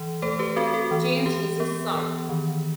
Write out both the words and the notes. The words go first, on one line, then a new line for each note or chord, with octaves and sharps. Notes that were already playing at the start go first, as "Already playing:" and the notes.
Jane's uses 'Sark'.
Already playing: E3
A3 A4 C5
G4 B4
C4 F#4 A4
F#4 A4
E3
E3 G4
B3 G4
E3
D#3